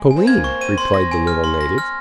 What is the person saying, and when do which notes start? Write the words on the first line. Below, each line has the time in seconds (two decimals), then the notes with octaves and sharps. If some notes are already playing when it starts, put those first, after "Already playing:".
"Toline," replied the little native.
Already playing: G#3
0.11 G#5
0.16 C4
0.27 A#3 G#6
0.44 C4 C#6
0.61 C4 D#7
0.77 C4 C6
0.94 A#6
1.11 G#5
1.27 F6
1.44 C6
1.61 A#6
1.78 F6